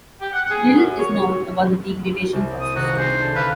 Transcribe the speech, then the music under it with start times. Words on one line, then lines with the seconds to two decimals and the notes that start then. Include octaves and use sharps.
Little is known about the degradation process.
0.21 G4
0.33 F#5
0.50 G#4
0.75 F#2
0.99 C#5
1.14 C#5
2.33 C2
2.60 D#6
2.76 D#1 C3 F#4
2.97 D4 G#4 C5
3.22 A4
3.35 D2 B4 F5 E6